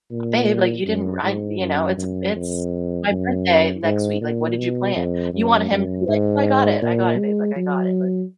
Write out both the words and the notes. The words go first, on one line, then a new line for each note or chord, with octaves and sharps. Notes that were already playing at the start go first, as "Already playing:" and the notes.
"Babe, like, you didn't ra you know, it's a it's my birthday next week, like, what did you plan?" You want him to be like, "Oh, I got it, I got it, babe, like I got it. Like,
A#2
F#2
G#2
F#2
F#2
F2
F#2
G#2
A#2
B2
F2
F#2
F#2
G#2
A#2
G#3
F#3